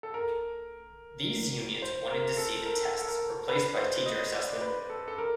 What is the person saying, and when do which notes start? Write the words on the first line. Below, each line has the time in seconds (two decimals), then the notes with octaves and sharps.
These unions wanted to see the tests replaced by teacher assessment.
0.03 A4
0.14 A#4
1.82 C5
2.10 A#4
2.37 A4
2.66 A#4
3.01 A4
3.08 A#4
3.49 B4
3.77 C5
4.06 D#5
4.34 D5
4.61 B4
4.90 A4
5.08 A4
5.18 A#4